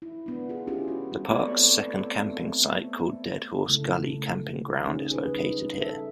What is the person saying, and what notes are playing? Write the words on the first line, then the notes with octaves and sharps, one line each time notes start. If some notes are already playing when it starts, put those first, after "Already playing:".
The park's second camping site called Dead Horse Gully camping ground is located here.
E4
B3 D4
F4 G#4
C#4 E4 F4 G4 G#4
B3 F#4
G3
A3 B3 C4 E4 C#5 D5
C#3 A3 E4 A4
A3
C#4 D#4 G#4
G#4 B4
G3 D#4
A4 E5